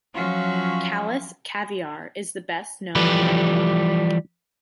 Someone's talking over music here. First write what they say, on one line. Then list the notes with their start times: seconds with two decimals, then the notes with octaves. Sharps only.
Kalles kaviar is the best-known brand.
0.14 F3 F#3 C#4 F4 F#4 E5
2.95 E3 F3 G3 G4 A4 B4